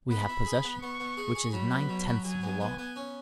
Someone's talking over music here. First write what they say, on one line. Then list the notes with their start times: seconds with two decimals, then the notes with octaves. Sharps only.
We have possession, which is nine-tenths of the law.
0.11 B3 B5
0.29 E4
0.46 G#4
0.64 B3
0.82 B3 C#6
1.00 B3
1.17 G#4
1.35 G#4
1.53 F#3 B5
1.71 B3
1.89 F#3
2.07 F#3
2.25 F#3 G#5
2.43 B3
2.60 B3
2.79 B3
2.96 C#4